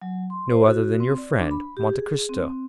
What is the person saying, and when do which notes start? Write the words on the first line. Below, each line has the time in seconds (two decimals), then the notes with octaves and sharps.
"No other than your friend, Monte Cristo."
0.02 F#3
0.30 C6
0.50 C5
0.66 F#4
1.00 C4
1.18 D5
1.38 D4
1.51 B5
1.77 G4
1.93 G#4
2.29 C4